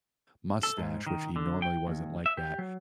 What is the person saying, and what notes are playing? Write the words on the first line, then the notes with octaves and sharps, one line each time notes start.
mustache, which he normally wasn't like that,
A4
G#2
D#3
D3
G5
D#2
E5
G4
F#3